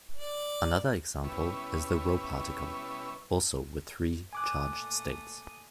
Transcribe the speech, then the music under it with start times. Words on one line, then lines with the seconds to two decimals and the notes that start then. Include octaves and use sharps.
Another example is the "rho particle", also with three charged states.
0.16 D5
1.24 B2 G3 C#4 E4 B4 C#5
4.33 A#2 A3 G#5 D6 D#6 F#6